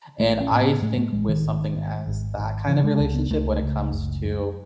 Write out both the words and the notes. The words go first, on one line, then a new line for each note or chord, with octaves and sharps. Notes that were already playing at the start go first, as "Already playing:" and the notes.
And I think with something as that kind of relationship when it comes to,
A1 A3
C#4
A2
B3
A2 A3
A3
A1 G#3
D#3
G#1
G#2
G#1
G#1
C#3 E3
G#3
C#2
B3
C#2 A3
C#2
F#1
F#2